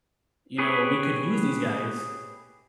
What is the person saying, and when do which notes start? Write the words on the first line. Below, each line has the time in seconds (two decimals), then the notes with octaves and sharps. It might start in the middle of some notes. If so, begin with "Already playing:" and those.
you know, we could use these guys
0.58 G4 G#4 B4 C#5